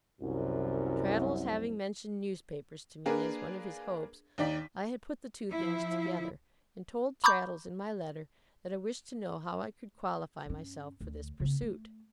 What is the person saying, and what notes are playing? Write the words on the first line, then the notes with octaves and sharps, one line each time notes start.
Traddles having mentioned newspapers to me, as one of his hopes, I had put the two things together, and told Traddles in my letter that I wished to know how I could qualify myself for this pursuit.
C2 F#2
A#3 D4 G#4 A#4 B4
D#2 D#4 D5 B6
F3 E4
A#5 B5 C#6 D6 G6
G2 C#4
D2
C#3 B3
A3